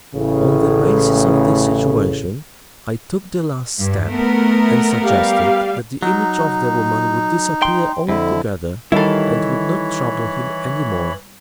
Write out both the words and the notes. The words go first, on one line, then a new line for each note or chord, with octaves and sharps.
On the basis of this situation, I took the last step and suggested that the image of the woman would disappear altogether and would not trouble him any more.
A1 A2 C#3
G2
A3 B3 A#4
G3 G4 F5
F#3 D#4
G5 C6
F2 D3 E4
D#3 E3 G3 E4 A4 C#5 F5 B5